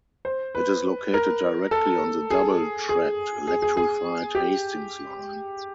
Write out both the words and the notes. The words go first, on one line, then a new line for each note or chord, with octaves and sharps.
It is located directly on the double-tracked electrified Hastings Line.
C5
B4
A#4
A4
G#4
G#4
G#4
G#4
G#4
G4